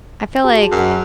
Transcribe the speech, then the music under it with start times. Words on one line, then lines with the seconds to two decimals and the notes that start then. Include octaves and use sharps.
I feel, like, eh
0.44 F#4 G#4 A5
0.72 F#2